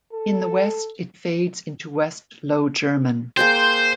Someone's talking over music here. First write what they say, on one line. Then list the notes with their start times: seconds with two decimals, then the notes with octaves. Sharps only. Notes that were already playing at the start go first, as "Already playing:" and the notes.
In the West it fades into West Low German.
0.13 A4
3.37 A#3 G#4 C5 G5 G6